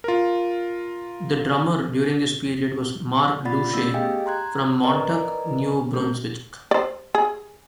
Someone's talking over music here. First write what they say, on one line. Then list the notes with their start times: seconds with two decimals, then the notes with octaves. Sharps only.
The drummer during this period was Marc Doucet from Moncton, New Brunswick.
0.04 F4 A#4
3.45 A#3 F4 D5 F#5 B5 A6
3.73 A3 B3 C#4 E6 A6
3.94 G4 G#4 D#5 F5 G5 G#5
4.26 A#5 C6 F#6 G#6
4.83 A#4 B4 D5 D#5 G#5 A#5
5.93 A3 C4 C#4 A#4
6.71 C5 D5
7.15 G#4